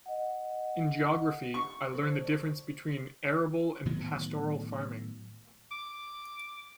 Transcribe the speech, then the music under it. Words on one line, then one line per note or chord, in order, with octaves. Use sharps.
In geography, I learned the difference between arable and pastoral farming.
D#5 F#5
C#6
F3 F#4 A4
D5
A2 D#3 F#3 B3
D6